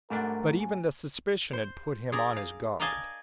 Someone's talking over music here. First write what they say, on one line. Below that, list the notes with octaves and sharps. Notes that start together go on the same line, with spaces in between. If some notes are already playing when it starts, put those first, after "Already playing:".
But even the suspicion had put him on his guard.
G#2 G3 A3 D4 A#4 F#5
G#5
C5
G#4 A#4 D5 A#5
F5
A#4 D5 D#5 F5 G#5 A5